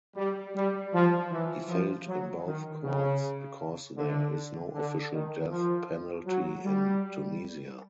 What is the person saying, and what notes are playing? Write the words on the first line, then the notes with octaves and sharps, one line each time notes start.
He failed in both courts because there is no official death penalty in Tunisia.
G3
G3
F3
E3
F3
F#3
D#3
C#3
D3
D3
D#3
F3
F#3
G3